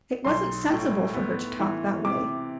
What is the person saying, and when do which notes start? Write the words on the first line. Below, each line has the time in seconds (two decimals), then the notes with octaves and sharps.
It wasn't sensible for her to talk that way.
0.25 B1 C6
0.70 A2
1.14 B3
1.60 E3
2.05 C3 D6